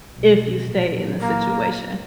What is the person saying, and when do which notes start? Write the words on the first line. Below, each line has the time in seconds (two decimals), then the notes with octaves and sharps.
if you stay in the situation,
0.16 B1
0.64 A#2 F#3
1.21 A#3